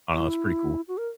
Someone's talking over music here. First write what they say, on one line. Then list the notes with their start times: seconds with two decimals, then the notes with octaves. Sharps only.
I don't know, it's pretty cool.
0.13 E4
0.88 F#4
0.98 A#4